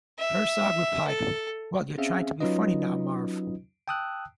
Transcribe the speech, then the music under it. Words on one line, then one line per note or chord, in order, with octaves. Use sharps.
Herzog replied, Well, you're trying to be funny now, Marv.
E5
A4
C4 C#4 G#4 E5 F5
F#3 C#4 D#4 F4 B4 D#5
G5 A5 D#6 E6 F#6